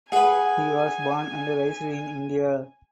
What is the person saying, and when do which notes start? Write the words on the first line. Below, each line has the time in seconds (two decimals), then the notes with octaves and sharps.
He was born and raised in India.
0.12 G#4 B4 F#5 G#5